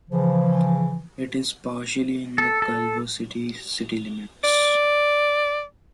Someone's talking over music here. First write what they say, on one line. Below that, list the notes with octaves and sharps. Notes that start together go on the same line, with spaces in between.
It is partially in the Culver City city limits.
C#3 E3 F3
A4
A4
D5